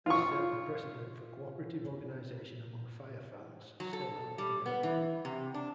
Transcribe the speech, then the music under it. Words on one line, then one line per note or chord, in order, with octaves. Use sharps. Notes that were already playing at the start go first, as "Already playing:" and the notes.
This set the precedent for cooperative organization among Fire fans still held today.
F4 C#6
F#3
A4
G3
B3
E3
C3
D4